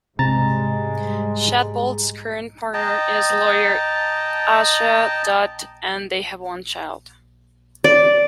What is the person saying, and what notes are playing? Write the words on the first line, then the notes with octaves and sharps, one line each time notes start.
Shadbolt's current partner is lawyer Asha Dutt and they have one child.
G#2 C3 G3 G#3 A#5 A6
D#5 G5 A5 A#5
D5